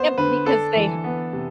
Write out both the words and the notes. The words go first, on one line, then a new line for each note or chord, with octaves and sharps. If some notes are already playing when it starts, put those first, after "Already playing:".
Yep, because they h
Already playing: B3 C5
D3 B4
D4 A4
E3
B3
C3